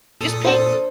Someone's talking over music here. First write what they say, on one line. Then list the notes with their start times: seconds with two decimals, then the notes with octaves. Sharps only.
just pay
0.21 A#2 A4 D#6
0.45 D4 C5